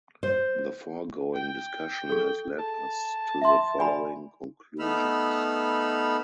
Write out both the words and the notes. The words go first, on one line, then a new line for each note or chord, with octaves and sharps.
The foregoing discussion has led us to the following conclusions.
C5
G5
G#4 A4
A5
E5 C6
D5 G#5 B5
A3 B3 D#4 B5 E6 F6